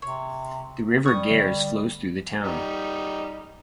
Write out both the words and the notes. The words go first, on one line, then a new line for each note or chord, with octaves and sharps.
The River Gers flows through the town.
C3 C#5
G3 C#6 D#6
D3
G3 D#4